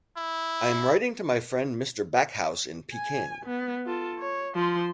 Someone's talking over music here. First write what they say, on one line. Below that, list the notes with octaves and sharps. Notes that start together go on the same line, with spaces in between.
I am writing to my friend Mr. Backhouse in Peking.
E4
G#5
B3
F4 A4
C#5
F3 C6